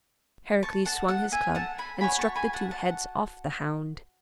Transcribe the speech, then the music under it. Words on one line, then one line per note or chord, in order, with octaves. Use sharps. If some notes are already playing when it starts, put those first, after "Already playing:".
Heracles swung his club and struck the two heads off the hound.
A5 C#6
F#5 A5
F#5 A5
E5 G#5
F#5 A5
G#5 B5
F#4 C#5 G#5 B5
A5 C#6
G#5 B5
F#5 A5
F#5 A5